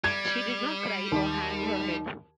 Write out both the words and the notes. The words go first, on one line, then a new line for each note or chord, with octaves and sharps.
She did not cry or hang her head.
G3 G#6
D#2